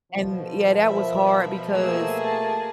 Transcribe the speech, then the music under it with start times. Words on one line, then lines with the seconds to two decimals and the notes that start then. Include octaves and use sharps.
And yeah, that was hard because,
0.12 B2 F3
0.86 A#4 E5 B5
1.74 A3 A#3 G#4 E6
2.24 A5